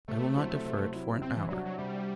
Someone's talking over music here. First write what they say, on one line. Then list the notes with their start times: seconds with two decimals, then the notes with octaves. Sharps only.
I will not defer it for an hour.'
0.08 C3 A3
0.37 F#3 C4 E4
0.65 C3
0.94 F#3 C4 E4
1.21 C3 C4
1.36 E3
1.50 F#3 G3 D4 F#4
1.65 F#3
1.78 C3 G3